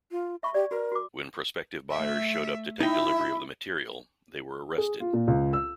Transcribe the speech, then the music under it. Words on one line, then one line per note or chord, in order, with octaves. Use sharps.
When prospective buyers showed up to take delivery of the material, they were arrested.
F4
E5 B5 C#6
G4 D5
F#4 A#4 B4
F#4 D6
A3 E5
D#4 E4 E5 G5
G#4
F4
A#2
C#2
E6